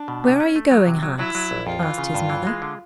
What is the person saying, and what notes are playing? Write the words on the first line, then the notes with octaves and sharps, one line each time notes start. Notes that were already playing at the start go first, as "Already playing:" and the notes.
'Where are you going, Hans?' asked his Mother.
Already playing: D4
B2
C3
C#4
A3
F#3
C3
F#3
F#3 E4
F#3
A#1
F2 F4
E3
C#3
G2
E3
G#3
D3